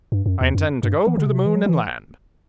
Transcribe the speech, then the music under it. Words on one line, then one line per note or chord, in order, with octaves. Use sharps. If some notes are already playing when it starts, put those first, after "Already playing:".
I intend to go to the moon and land.
G2
F#2
E2
F#2
G2
E3
D3
C3
E3
F#3
F#3
E3